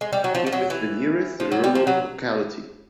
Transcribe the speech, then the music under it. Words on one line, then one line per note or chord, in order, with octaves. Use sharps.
Kim is the nearest rural locality.
G#3
G3
F#3
F3
F3
F#3
E3
F3
F#3
G3
F3
F#3